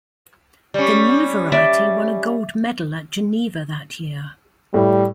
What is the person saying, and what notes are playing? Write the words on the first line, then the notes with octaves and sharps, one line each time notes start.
The new variety won a gold medal at Geneva that year.
G3 C#4
D5 E5
A2 G3